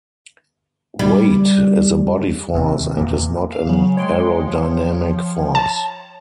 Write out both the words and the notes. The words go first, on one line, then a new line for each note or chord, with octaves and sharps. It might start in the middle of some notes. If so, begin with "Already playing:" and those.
Weight is a body force and is not an aerodynamic force.
G3
D#2 C3
E2 A#2
F5
C#3 F#3
G#3 C#5 G5 C6
F3
A5